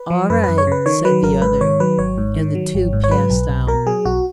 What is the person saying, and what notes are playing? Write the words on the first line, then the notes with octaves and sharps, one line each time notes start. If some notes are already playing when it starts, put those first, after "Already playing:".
"All right," said the other, and the two passed out.
Already playing: B4
F3
F#2 B4
F#2 B4
C#5
C#3 B4
D#3 C#5
F#3 B4
G#1 A#4
G#2 B4
D#3 C#5
F#3 B4
G#1 C#5
G#2
D#3
F#3
G#1
G#2
C#5
F#3 B4
B1
B1
B2 A#4
F#3 G#4
B1 F#4